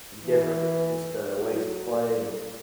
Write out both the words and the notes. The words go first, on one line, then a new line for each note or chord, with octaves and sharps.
in different just, uh, ways to play and
E3
F#3